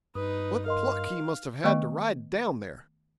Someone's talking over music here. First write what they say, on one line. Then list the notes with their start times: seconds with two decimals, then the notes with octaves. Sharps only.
What pluck he must have had to ride down there!'
0.15 G2 D#4 B4 D#6
0.66 A#4 D#5 F5 C6
1.64 D#3 A3 B3 D#5 C#6